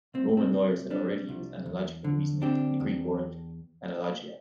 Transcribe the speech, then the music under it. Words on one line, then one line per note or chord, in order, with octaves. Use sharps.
Roman lawyers had already used analogical reasoning and the Greek word "analogia".
C2 C4
C4
C3
G3 D4
C2
E2
D3
C4 D4 G4
E2